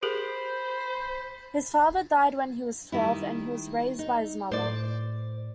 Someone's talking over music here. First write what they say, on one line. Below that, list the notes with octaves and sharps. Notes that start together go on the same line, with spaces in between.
His father died when he was twelve, and he was raised by his mother.
G4 G#4 A#4 C5 B5
D#3 G3 E4
D#4
A2 C5 D5